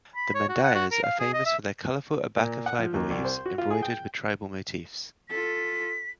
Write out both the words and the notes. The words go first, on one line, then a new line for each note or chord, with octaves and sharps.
The "Mandayas" are famous for their colorful abaca fiber weaves embroidered with tribal motifs.
B5
C#5
F#4
F#5
F#4
A#4
F5
G#4
D#5
E5
A#2
F#5
F3
D#2
C2
C5
F#4
F4
G#4
G5
F4 A4 B6